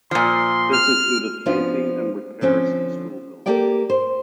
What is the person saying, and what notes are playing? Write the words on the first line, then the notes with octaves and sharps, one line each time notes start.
This included painting and repairs to school buildings.
A#2 F3 C6
F6
F3 B3 C#4 D4 F4
D3 F3 C4 C#4
A#3 G4 A4 D5 G5
C5